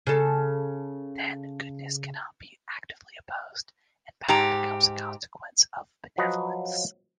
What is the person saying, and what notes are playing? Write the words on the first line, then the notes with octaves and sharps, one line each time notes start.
Then, goodness cannot be actively opposed, and power becomes a consequence of benevolence.
C#3 A4
G#2 G4 A#5
F3 F#3 B4 D#5